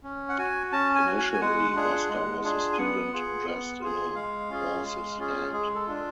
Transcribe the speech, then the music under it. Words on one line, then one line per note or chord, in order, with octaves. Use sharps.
Initially Buster was a student dressed in a horse's head.
C#4
F#5
F#4 G#5
C#4 A5
G#5
F#4
G#5
G#5
G#3 F#5
D4 F4 G#4
G#3
D4 F4 G#4
G#5
B3 F#5
F4 G#4
B3
F4 G#4
G#3 F5
C#4 F4 G#4
G#3
C#4 F4 G#4
G#3 G#4
A4
D4 F4